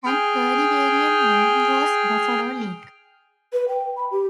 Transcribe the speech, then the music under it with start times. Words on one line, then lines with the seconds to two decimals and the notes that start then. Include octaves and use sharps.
An early variant name was "Buffalo Lick".
0.06 G#4 G5 F6
3.53 B4
3.68 G5
3.96 B5
4.11 G4